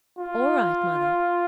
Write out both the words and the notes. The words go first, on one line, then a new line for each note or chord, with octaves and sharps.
'All right, Mother.
F4